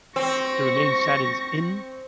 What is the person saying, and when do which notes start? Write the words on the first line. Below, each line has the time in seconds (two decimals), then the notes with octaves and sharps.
the remaining Saturdays in
0.16 C4 C#6 A#6